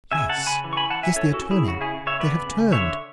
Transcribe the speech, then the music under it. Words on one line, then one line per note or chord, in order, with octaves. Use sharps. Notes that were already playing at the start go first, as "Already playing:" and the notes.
Yes, yes, they are turning--they have turned!
C#3 E5 G#5
F#5 A5
C#3
G#5 B5
E3
C#6
G#5 B5
E3 F#5 A5
E5 G#5
C#4 A4 C#5
F#4 A4
C#4
E4 G#4
C#3 F#4
E4 G#4
C#3
C#5 E5
B3 B4 D5
C#3
D3 C#5 E5